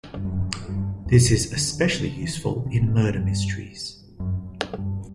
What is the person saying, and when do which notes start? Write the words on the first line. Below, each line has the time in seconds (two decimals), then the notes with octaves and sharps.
This is especially useful in murder mysteries.
0.17 G2
0.25 F#2
0.68 G2
1.06 E2
1.12 F#2
1.56 D3
1.79 C3
2.00 D3
2.22 E3
2.44 D3
2.66 C3
2.81 C3
2.88 B2
3.10 G2
4.20 F#2
4.78 G2